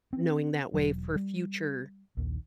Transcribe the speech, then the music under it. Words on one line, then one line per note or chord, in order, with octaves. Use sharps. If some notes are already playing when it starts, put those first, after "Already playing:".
knowing that way for future
C4 C#4
E1 F#3
G3
A#1 D#2 D#3